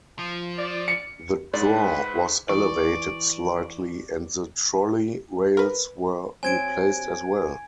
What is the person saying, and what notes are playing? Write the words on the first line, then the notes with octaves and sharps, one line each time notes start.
The draw was elevated slightly and the trolley rails were replaced as well.
F3
D5
C#7
G#2 B4 D5
E3 D5 C#6
A#4 B4
F#3 C4 C5 G#5 G#6 D7